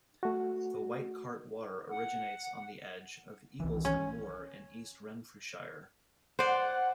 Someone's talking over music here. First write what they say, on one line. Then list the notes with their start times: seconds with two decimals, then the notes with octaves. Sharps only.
The White Cart Water originates on the edge of Eaglesham moor in East Renfrewshire.
0.23 A3 F#4
1.90 F#5
3.60 C2 D#3 E3
3.85 C#4
6.39 C5 D5 F#5